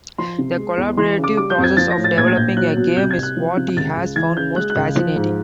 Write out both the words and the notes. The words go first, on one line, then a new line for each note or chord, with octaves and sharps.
The collaborative process of developing a game is what he has found most fascinating.
F3 C6
C3
G#3
E2
E3 C6
C#3
D6
G3 D6
G6
F2
G#6
F3 A6
A#6
A2
A6
A#1 G#6
G#6
A#1 G6
F#3 F#6
B2
C2 G6
G#6
C2
F#6
F3
C3
C#2 A6
C#2
E3 G#6
C#3 G6
G#3 F#6
F#6
C#2
F3
G#2